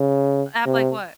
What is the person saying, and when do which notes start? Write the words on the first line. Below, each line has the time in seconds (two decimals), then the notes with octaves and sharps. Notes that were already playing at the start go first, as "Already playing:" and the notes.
App like what?
Already playing: C#3
0.66 C3